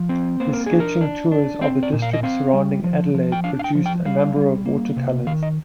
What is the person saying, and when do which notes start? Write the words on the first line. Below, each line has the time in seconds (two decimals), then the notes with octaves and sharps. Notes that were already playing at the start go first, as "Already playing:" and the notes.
His sketching tours of the districts surrounding Adelaide, produced a number of watercolours.
Already playing: F3
0.09 C4
0.40 A#3 C5
0.53 A#4
0.66 D4 G#4
0.80 A#4
1.01 D4
1.32 D4
1.61 C4 C5
1.83 D5
1.93 A#2
2.02 F5
2.13 D#5
2.23 C4 F5
2.53 G3
2.84 F3
3.15 F3
3.32 G5
3.44 D4 F5
3.59 F5
3.64 G5
3.75 F3
3.86 G5
4.06 G3 F5
4.36 G3
4.66 A#3
4.96 C3
5.27 D#3 F5
5.43 D#5